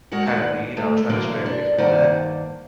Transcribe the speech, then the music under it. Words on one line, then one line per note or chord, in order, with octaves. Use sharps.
kinda mean, and I'm trying to stray away from that.
G#3 F#4 A#4 F#5
D#2 D4 B4 F#5
D2 A3
B2 D3 E3 F#3 A#3
D4
G2 D#3 A#3 C5 D5 F#5